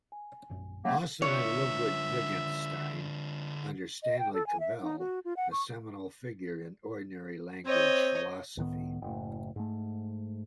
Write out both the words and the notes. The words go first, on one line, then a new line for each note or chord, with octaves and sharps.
Austin and Ludwig Wittgenstein under Stanley Cavell, a seminal figure in ordinary language philosophy.
G#5
A#1 F#2
C#3 F#3 A3 A#3 F#5 G5
D3 F4 C#5 E5
D#5
G5
A4
G#5
E5
D#4
F#4
F4
F#5
C#6
C4 C5 C#5 D#5
C#2 A2 D#3 B3
F#1 A2
G#2 A3